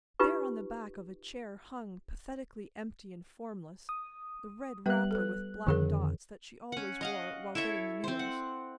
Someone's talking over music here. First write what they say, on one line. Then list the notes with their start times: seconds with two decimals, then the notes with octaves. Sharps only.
There on the back of a chair hung, pathetically empty and formless, the red wrapper with black dots that she always wore while getting the meals.
0.19 D#4 F4 G4 B4 C#6
3.89 D#6
4.86 G3 B3 B4 E5 F#6
5.11 A4 B4
5.67 F2 D3 D#3 F3 G#4 A#4
6.72 C#4 F#5
7.01 D#5 F5 F#5
7.55 E4 A4 C#5 E5
8.04 C4 C5
8.19 F#5